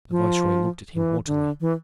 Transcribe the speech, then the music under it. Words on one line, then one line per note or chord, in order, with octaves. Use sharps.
The viceroy looked at him haughtily.
F3
E3
D3
E3